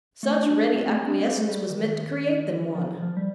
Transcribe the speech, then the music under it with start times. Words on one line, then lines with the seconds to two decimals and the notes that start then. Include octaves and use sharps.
Such ready acquiescence was meant to create them one.
0.23 A3
0.43 D4
0.64 D4
0.75 C4
0.86 A3
0.96 C4
1.07 D4
1.21 A#3
1.35 A3
1.49 G3
1.70 D#3
2.75 F3
3.03 F3
3.17 G3